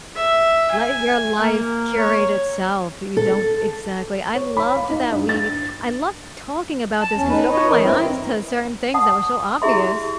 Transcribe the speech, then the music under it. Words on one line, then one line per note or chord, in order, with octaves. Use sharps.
Let your life curate itself, you don't exactly, I loved that we we I loved talking about this 'cause it opened my eyes to certain things that were so obvious.
E5
G#5
A#3
C#5
A4
C#5
B5
F5
D#4
G2
A6
A5
E2 C#4
D#4 B4
B4 C#5 D#5
E3 A#4
G2 C4 E4
F#5 A5 D#6
E4 G4 G#4 E5 C6